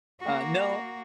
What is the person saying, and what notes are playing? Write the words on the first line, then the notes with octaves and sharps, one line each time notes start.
Uh, no.
A#3 F#4